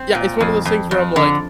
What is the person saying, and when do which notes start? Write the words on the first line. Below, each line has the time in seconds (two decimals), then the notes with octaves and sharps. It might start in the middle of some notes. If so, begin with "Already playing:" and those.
Yeah, it's one of those things where I'm like,
Already playing: C4
0.15 A#2
0.41 F2
0.65 F2
0.91 F2
1.16 D3